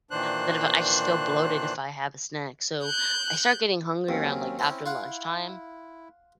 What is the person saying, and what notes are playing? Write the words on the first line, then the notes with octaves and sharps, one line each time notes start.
but then if I just feel bloated if I have a snack. So, I start getting hungry around, like, after lunchtime,
A#2 D#3 E3 D4 C5 F#6
F#6 G6
D#2 F#3 C4 C#4
C4 C#4 E4
F4 F#5